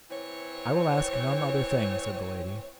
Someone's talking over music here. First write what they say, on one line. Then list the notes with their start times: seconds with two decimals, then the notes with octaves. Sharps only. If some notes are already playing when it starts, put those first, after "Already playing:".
I will ask none other thing, said the lady.
0.11 E3 C4 C#5